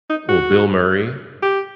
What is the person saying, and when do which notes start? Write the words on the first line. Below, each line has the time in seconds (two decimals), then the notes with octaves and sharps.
Ooh, Bill Murray?
0.10 D#4
0.29 F#4
1.43 G4